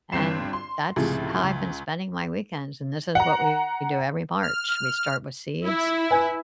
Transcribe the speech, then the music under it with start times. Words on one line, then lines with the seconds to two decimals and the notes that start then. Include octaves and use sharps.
And that's how I've been spending my weekends, and this is what we do every March. We start with seeds,
0.12 G1 G2 C4 C7 E7
0.53 C6
0.96 C#2 A2 C3 F3 G#4
1.44 C#2
3.15 F#5 A#5
4.43 F6
5.64 E4
6.11 B4 G#5